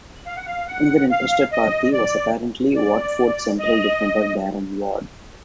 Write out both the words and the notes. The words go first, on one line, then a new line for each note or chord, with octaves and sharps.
Another interested party was apparently Watford central defender Darren Ward.
F5
F#5
F5
F#5
F5
D#5
D5
D5
D#5